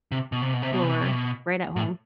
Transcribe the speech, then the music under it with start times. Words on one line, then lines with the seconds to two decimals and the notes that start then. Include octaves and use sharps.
floor right at home.
0.12 C3
0.32 B2
0.42 C3
0.53 B2
0.62 C3
0.73 B2
0.82 C3
0.91 B2
1.02 C3
1.11 B2
1.76 A2